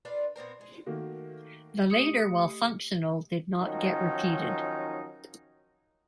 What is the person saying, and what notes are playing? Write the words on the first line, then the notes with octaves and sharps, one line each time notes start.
The later, while functional, did not get repeated.
D4 F4 A#4 B4
A#2 B3 C4 A#4
G#3
D#3 A3 A#3 F#4
A3 G4 D#6 C#7
D#3 F3 F#3 C#4 D#4